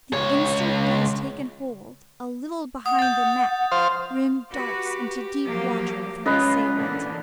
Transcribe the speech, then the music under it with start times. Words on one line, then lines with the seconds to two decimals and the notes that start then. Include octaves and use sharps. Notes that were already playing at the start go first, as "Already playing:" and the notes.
The instant it has taken hold--a little behind the neck--Grim darts into deep water with her assailant.
0.13 C#2 C#5
2.86 F#5 D#6
2.99 G6 A6
3.72 C5 F5
4.52 F#4 G4 B4 D6
5.47 F3 F#3 A#3
6.26 C#2 C#4 F4 B4 D#5
6.77 A#2 D3 E3